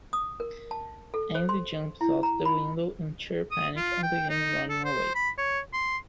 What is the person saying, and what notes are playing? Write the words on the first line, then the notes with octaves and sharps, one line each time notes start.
Andy jumps out the window in sheer panic and begins running away.
D#6
A#4
A5
A4
C5
C6
E4
A#5
B5
D#6
F4
G5
D#4
A4
C5
B5
C#5
C6